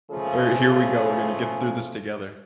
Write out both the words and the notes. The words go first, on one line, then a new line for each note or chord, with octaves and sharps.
All right, here we go, we're gonna get through this together.
C#3 F3 A3 F4 G#4